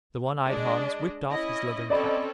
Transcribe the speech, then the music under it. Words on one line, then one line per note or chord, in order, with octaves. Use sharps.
The one-eyed Hans whipped off his leathern cap.
G#3 D4 D#5
C#4 E4 D#5
C4 C#4 A4 D5 D#5 B5